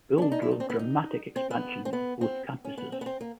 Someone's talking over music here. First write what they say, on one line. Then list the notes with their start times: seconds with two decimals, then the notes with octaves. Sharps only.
Bill drove dramatic expansion of both campuses.
0.18 C#4
0.22 D4
0.32 D#4
0.42 E4
0.51 D#4
0.60 C4
0.70 B3
0.79 D#4
1.36 C4
1.51 B3
1.85 C4
1.93 B3
2.21 C4
2.64 C#4
2.78 B3
2.92 C4
3.01 B3
3.06 C4
3.21 A#3